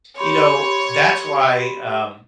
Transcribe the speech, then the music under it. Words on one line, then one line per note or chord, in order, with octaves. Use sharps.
you know, that's why, um,
G4 C#5 B5 C6